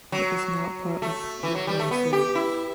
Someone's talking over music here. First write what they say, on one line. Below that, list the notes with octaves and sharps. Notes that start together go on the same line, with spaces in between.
It is now part of Lucknow city.
F#3
A3
E3
F#3
G3
A3
B3
G4
E4